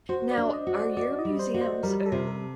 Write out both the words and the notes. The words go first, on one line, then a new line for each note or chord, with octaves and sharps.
Now, are your museums or
F#4 C5
D5
D4
D#5
F#4
D5
F#4 D5
D#5
G3
C5
F#4
C5
G3 A#4
A4
C3
A#4